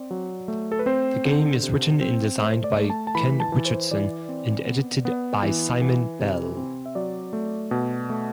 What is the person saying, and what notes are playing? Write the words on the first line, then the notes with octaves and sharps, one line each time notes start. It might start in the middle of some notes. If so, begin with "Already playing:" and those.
The game is written and designed by Ken Richardson and edited by Simon Bell.
Already playing: C4 D5
F#3
A3
A4
B4
C4 C5
D3
C3
C4
A3 C5
D5
A3
A5
A5
E3 B5
A5
E3
C5
E3 D5
C4
B3
B3
E3
E3
C3
C4
E5
F#3 D5
A3
B2
A3